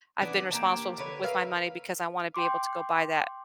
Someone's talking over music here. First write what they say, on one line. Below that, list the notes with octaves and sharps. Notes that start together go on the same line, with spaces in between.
I've been responsible with with my money because I wanna be able to go buy that,
E3 B3 D4
A#3 G4 A5
D3 B4 C#5
A#4 B4 E5 F5
G5 C6 D6